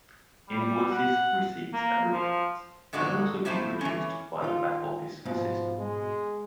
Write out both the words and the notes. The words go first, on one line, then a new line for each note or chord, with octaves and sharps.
Invoices, receipts, and reports can also be produced by the back-office system.
G3
F#5
A#3
F3
G2 D3 G#3 D#4 F#4
A2 A#3 E4 C5 A5
E3 C#4
D#3 F4
G#2 B2 F3
G#3